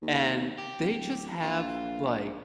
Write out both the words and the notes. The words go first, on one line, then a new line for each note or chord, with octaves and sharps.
and they just have like,
D#2
G4
D1
A#1 F4